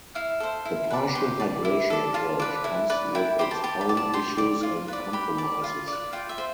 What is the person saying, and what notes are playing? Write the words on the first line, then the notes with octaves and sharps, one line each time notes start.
The partial hydration approach comes with its own issues and compromises.
E4 F5
A4 C5
E4
B4 D5
G4 C6
D5
E4
A4 D5
F4 A5
B4 D5
E4
B4 D5
E4 G5
G4 C5 B5
A5
G4 A5
B5
D5
A5
G4 C6
D5
F4
B4 D5
G4 B5
D5
F4
B4 D5
F4 G5
E5
C5